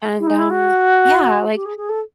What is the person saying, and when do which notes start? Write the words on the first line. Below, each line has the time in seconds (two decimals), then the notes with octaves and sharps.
and, um, yeah, like,
0.20 E4
0.27 D#4
0.39 E4
0.50 F#4
1.55 G4
1.65 G#4
1.77 G#4
1.89 A4